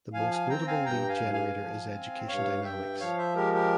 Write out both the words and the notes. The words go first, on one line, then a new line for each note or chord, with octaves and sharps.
The most notable lead generator is Education Dynamics.
F3 F5 G#5
F5 G#5
C4 G5 A#5
F5 G#5
G2 G5 A#5
G5
F5 G#5
G2
F5 G#5
F3
C4
G2 C#5 F5
G2 E5 G5
F3 C#5 F5
C5 E5
G#3 G4 A#4
G4 A#4